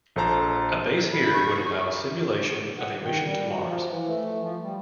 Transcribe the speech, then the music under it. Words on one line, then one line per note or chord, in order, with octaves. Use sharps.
A base here would allow simulation of a mission to Mars.
A#1 A4 C5 A5 A#5
B5
C#6
F#5
D#3
G3
F#4
F3
E3
A3
F3
G3